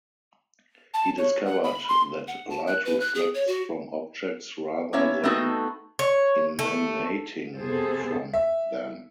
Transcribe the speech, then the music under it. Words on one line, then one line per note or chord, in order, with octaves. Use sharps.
He discovered that light reflects from objects rather than emanating from them.
A5
C#5
F#5
B5
C6
F#5
A5
F#6
B4
F#6
G#4
C#5
F#4
A#3 B3 C#4 C#5 E5 A#5
A3 B3 C4 D#4 F#4 A4
C#5
A3
C3 B3 G#4 A4 C5
E5